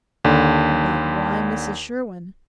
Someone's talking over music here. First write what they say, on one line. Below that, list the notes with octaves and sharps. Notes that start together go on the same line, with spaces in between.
'But why Mrs Sherwin?
D#2 D3